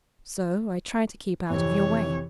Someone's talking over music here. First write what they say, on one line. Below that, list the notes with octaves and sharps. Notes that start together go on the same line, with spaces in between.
So I tried to keep out of your way.
F2 C3 E3 C#5